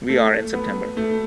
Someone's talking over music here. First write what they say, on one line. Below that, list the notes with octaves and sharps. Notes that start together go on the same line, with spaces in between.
We are in September.
A3
B3
A3